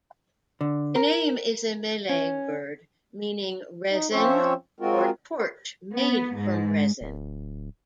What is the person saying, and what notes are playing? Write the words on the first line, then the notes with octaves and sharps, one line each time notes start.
The name is a Malay word meaning 'resin' or 'torch made from resin'.
D3
A#4
C#4
D#4
F3 C4 C#4 C5 C#5 E5
G#3 C4 F4 F#4 A#4
B3
G#2
D1